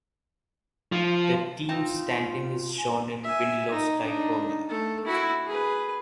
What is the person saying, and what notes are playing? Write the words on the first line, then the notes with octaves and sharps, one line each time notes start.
The team's standing is shown in win-loss-tie format.
F3
C4 D#4 F4 A5
G#5
E5 G#5
D#4
D4 D#4
A3 A4
E4 F#4
G#4 B4